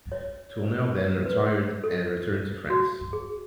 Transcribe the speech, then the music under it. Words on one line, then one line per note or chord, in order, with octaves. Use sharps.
Tourneur then retired and returned to France.
C#5
C#5
B4
A4
F#4
G#4